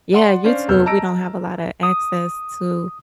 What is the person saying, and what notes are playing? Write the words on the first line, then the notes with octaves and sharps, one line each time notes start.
Yeah, YouTube, we don't have a lotta access to
D5 F#5 C6
C#4 D4 C5 F5
F1 B3 E6 F6 G6
D#5 A5 A#5 E6 A#6 D7
D#6